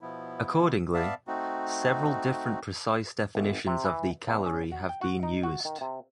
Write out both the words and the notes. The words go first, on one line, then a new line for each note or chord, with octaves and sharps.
Accordingly, several different precise definitions of the calorie have been used.
B2 F3 B3 E4
B3 D5 E5 F5 A5
A3 C4 D#4 F#4
G1
C3
E3
E2
C#4
F#4
G5
F#4
D#4
F#4
D#3
C3